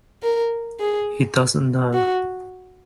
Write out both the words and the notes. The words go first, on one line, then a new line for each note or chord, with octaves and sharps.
He doesn't know.
A#4
G#4
F#4